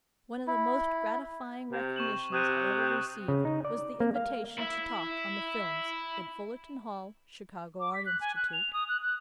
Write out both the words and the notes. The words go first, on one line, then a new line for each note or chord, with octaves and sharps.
One of the most gratifying recognitions I ever received was the invitation to talk on the films in Fullerton Hall, Chicago Art Institute.
E4
C3
C#6 E7 F#7
C3 D#6 F#6 D#7
C#3
D#4
D5
A#3
F5
E4 E5
D6
B6
F#6
G#5
F#6
F7
D#6
F#6
F#6